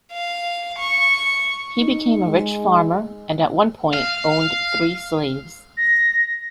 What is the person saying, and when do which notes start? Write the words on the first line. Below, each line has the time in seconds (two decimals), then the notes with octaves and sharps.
He became a rich farmer and at one point owned three slaves.
0.12 F5
0.78 C#6
1.78 D#4
2.24 G#3
3.94 F5
5.77 A#6